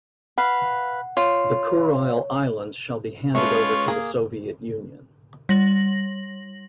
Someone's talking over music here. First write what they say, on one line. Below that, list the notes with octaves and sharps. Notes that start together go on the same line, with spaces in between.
The Kurile Islands shall be handed over to the Soviet Union.
B4 F5 F#5
F4 C#5
G#3 A3 C#4 F4 B4 C#5
A#3 G#4
G3 A#6 F#7